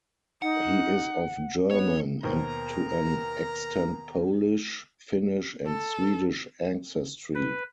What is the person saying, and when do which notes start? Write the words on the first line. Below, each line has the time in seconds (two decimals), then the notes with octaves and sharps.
He is of German, and to an extent Polish, Finnish, and Swedish ancestry.
0.42 D#4 F#5
1.71 B3 C#5
2.23 D#2 B2 A#4 C5 A#5
5.66 A4
7.35 B4